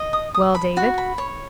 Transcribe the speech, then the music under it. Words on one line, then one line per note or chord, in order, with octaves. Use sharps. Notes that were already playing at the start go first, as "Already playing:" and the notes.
"Well, David."
Already playing: D#5
D#6
D#6
B5
F#4
B5
C#5